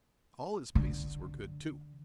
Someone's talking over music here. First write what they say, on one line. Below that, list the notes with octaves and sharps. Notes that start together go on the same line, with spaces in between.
All his paces were good too.
D3